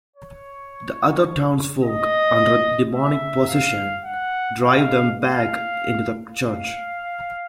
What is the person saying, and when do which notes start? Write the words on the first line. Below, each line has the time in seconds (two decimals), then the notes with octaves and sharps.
The other townsfolk, under demonic possession, drive them back into the church.
0.16 C#5
1.82 D#5
2.94 E5
3.48 F5
4.04 F#5
4.60 F5
5.15 F5
6.26 F5